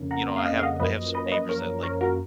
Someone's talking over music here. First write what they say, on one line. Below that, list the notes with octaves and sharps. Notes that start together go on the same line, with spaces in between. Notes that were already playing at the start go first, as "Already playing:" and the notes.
you know, I have I have some neighbors that, like,
Already playing: F2 C#3 A#3 C#4
F#5 A#5
F5
D#5 F#5
F5
D#5 F#5
F#2 F3 A#3 C#4 B4 D#5
B4 D#5
C#5
B4 D#5
A#4 C#5
A#4 C#5
F#4 A#4